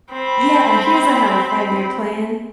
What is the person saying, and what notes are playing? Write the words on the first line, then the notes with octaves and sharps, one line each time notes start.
Yeah, he doesn't have a five-year-plan.
C4 B5